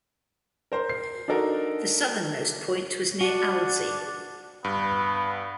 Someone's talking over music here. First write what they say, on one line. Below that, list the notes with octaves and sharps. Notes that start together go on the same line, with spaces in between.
The southernmost point was near Alzey.
A#4 C5
C7
D4 D#4 F#4 A4 A#4
D4 F#4
G2 B3